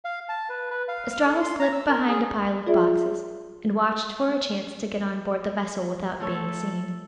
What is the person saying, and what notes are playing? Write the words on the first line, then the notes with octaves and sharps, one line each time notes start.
Estralla slipped behind a pile of boxes, and watched for a chance to get on board the vessel without being seen.
F5
A5
B4
B4
F5
F6
A4
C6
A#5
E6
A#4
G#4
F4 G#4 D5 E5
F3 A3 A4 C#5